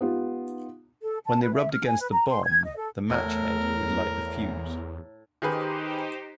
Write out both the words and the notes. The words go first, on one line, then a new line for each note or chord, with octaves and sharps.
When they rubbed against the bomb, the match head would light the fuse.
B3 D#4 F4 G4
A4
A5
B4
E5
F6
G#5
B4
A#5
C6
G#6
D#5
A4
E2 A2 A#4
D#3 D#4 G4 G#4 B4 C5